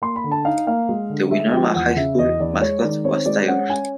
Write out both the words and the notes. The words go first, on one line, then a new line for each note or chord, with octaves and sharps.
The Winona High School mascot was Tigers.
A#3 C6
B5
D3
A5
D#4 F5
A#3 F5
G#3
D3
G#3 E5
F3 G5
E2 F#5
C#3 E5
E2 D#5
E2 D5
G#3 C#5
D#3 D5
C4 C#5
G#3 D5
C#4 F#5
C#4 G#5